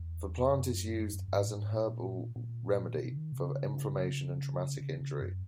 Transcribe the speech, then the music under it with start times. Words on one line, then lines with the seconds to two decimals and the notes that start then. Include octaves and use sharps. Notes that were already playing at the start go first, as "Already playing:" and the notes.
The plant is used as an herbal remedy for inflammation and traumatic injury.
Already playing: E2
0.52 F#2
1.13 F#2
1.28 F#2
1.34 G#2
1.48 A#2
1.54 G#2
1.75 A#2
2.36 A#2
2.97 B2
3.12 C#3
3.17 D#3
3.32 B2
3.37 C#3
4.80 C#3
5.00 C#3
5.21 F#2